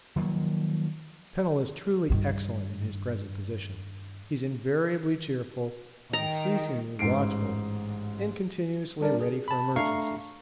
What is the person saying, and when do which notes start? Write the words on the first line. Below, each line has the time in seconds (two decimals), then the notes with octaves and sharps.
Pennell is truly excellent in his present position--he's invariably cheerful, unceasingly watchful, and continuously ready for emergencies.
0.16 D#3 F3 F#3 A#3
2.10 G2 D#3
6.13 D#3 D#4 G5 A#5
6.99 A1 G#2 C7 D7
9.01 G3 D4 A#4 D5
9.21 G#4
9.48 A5 B5
9.76 A3 D4 F5 A#5 C#6 C7